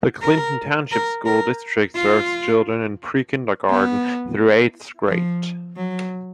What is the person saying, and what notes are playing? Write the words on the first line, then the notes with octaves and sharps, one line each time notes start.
The Clinton Township School District serves children in pre-kindergarten through eighth grade.
A#4
A#4
A#4
F4
B3
F3
F#3